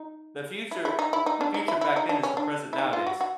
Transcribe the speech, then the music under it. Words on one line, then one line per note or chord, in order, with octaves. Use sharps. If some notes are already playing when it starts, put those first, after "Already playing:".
The future it The future back then is the present nowadays.
Already playing: D#4
E4
E4
D#4
E4
D#4
D4
D#4
E4
E4
D#4
D4
C#4
D4
E4
D#4
F4
F#4
F#4